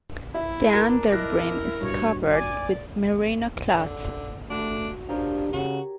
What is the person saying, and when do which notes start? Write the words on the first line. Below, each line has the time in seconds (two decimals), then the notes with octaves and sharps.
The underbrim is covered with merino cloth.
0.34 E4 E5
0.74 D4 A#4 A#5
1.12 E4 A#4 D#5 F#6 A#6
1.81 G2 B2 C#5
2.33 D5 G#5 D6
3.77 D3
4.50 A3 D4 F#4 C6
5.09 F3 D4 G4 A#4 C#5
5.53 C#3 F#4